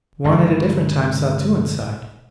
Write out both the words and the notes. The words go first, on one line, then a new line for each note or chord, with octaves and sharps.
One at a different time saw two inside.
G1 C#2 D#3